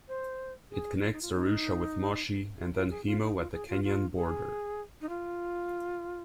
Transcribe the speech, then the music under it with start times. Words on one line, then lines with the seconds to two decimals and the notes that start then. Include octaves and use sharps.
It connects Arusha with Moshi and then Himo at the Kenyan border.
0.08 C5
0.71 G#4
1.03 F4
1.12 D#4
1.22 F4
1.34 D#4
2.59 F4
2.75 F4
2.90 G#4
3.06 F4
3.22 D#4
3.37 F4
3.53 G#4
3.69 F4
3.84 F4
4.16 G#4
5.01 D#4
5.09 F4